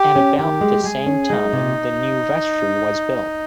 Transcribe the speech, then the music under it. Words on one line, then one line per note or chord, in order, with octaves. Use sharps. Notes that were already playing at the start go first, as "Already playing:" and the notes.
At about the same time, the new vestry was built.
Already playing: G4
C#4
D#3 G4
G#3
G#3 G#4
C#4
G#3 D#4
C3